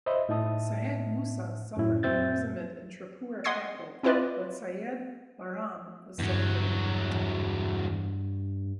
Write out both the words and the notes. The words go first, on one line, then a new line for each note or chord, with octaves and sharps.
Syed Musa suffered imprisonment in Tripura capital but Syed Bairam was set free.
C5 D#5 E5 B5
A2 D#4 E5 A5 D#6
F#2 A2 C#4 E4
F#2 A#2 C4 E5 G6 A6
D#5 F#5 C6 D#6 G#6 C7
C4 E4 F4 B4 D5 D#5
E2 G2 F#3